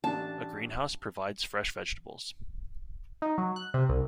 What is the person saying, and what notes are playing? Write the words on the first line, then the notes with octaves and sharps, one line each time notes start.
A greenhouse provides fresh vegetables.
A1 D4 A5
D#4
F#3
F#6
C3
C2